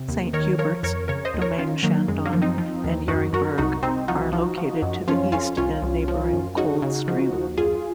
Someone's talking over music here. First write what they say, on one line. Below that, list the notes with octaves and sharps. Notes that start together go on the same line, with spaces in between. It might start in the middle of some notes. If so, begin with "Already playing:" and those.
Saint Hubert's, Domaine Chandon and Yeringberg are located to the east in neighbouring Coldstream.
Already playing: C3
D#2
D#3 A#4 C#5
F3 A#4 C#5
F2 A#4 C#5
C#3 A#4 C#5
C5 D#5
D#2
A#4 C#5
D#3 C#4 F4
D#3 F#3 A#3
F#2 G#3
F#3 A#3
F3
C4 D#4
F3
D#2
F#2 D#4 F#4
F#2 F#4 A#4
C2 D#4 F#4
C2 C4 D#4
F3 D#4 F#4
F3
F3
F#2
F3 C#4 F4
F2 C#4 F4
C2 C#4 F4
C2
F3
F#2
C#3 D#4 F#4
C#3
F3
D#2
F#2 F4 G#4